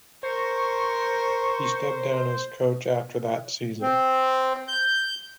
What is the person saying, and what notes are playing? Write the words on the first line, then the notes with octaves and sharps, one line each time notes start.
He stepped down as coach after that season.
A#4 C5 C#6
C4
G6